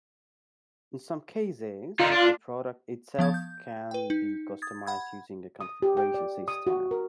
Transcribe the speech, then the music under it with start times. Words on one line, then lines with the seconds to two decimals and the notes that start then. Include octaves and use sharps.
In some cases, the product itself can be customized using a configuration system.
1.99 D3 D#4 F4
2.12 D4
3.19 F3 B3 F5 G#6
3.34 G6
3.91 B4 G5
4.10 D#4
4.62 D#6 G#6 A6
4.87 F#5 B5 G#6
5.61 D#6
5.82 G4
5.97 G5
6.14 D5
6.48 D#6
6.67 F#4
6.91 A#4